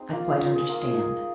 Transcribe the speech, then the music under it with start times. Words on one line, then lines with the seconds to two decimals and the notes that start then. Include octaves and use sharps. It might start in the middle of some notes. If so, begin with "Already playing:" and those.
"I quite understand."
Already playing: C4 D#4 G#4
0.12 A#3 F4 A#4
0.27 G#4
0.41 D#4 F4
0.55 G#4
0.69 A#3 F4 A#4
0.97 D#4